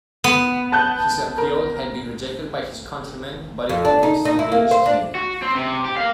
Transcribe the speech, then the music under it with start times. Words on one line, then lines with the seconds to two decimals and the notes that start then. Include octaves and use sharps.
His appeal had been rejected by his countrymen, but it convinced the Danish King.
0.24 B3
0.72 A5 F#6 G6
1.38 A#4
3.69 F2
3.85 D4
4.03 D#4
4.25 D#4
4.39 E4
4.52 A#3
4.71 C5
4.86 D4
5.15 F#4
5.42 C4
5.55 C3
5.85 G4
5.97 A#4 F5